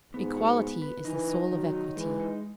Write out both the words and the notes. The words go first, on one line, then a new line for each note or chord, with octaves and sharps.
Equality is the soul of equity.
G#2 B3
F#4
B3
B4
E3 D#4
D#4
D#3 F#3
D#4
E3 G#3
D#4